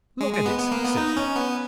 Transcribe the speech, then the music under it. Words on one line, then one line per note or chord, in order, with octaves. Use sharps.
Look at this, says he.
G#3
G#3
B3
B3
A#3
B3
D#4
C#4
B3